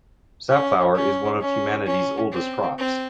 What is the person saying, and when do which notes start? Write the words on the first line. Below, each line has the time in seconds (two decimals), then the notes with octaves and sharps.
Safflower is one of humanity's oldest crops.
0.48 C#4
0.95 C#4
1.41 C#4
1.86 C#4
2.32 C4
2.78 C4